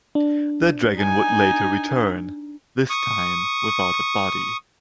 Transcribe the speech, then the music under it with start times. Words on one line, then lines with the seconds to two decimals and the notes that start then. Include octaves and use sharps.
The Dragon would later return, this time without a body.
0.15 D4
0.98 D#4 G#5
2.90 C#6 D#6